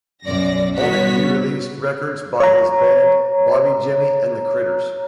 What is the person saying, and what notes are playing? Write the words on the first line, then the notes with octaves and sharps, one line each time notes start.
On it he released records by his band Bobby Jimmy and the Critters.
B1 F#2 D5 A#6
G2 B2 B3 F#4 C#5 B6
C#5 A#5